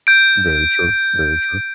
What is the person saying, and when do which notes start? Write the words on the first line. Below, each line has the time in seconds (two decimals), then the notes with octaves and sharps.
Very true. Very true.
0.07 G6 D7